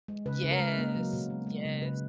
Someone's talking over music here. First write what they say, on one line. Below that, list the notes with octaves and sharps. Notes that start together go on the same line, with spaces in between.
Yes, yes.
G#3
C#3 B4
C#3
A#4
G#3
A#3
F#3
B2
G#3
G#3
C#3
C#3 B4